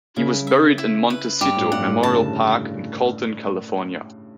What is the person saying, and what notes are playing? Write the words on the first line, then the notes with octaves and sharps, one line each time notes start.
He was buried at Montecito Memorial Park, in Colton, California.
C#3 E4
E5
E4
B4
G2 G4
A2
G2 F#5
A2
C#3 A5
D3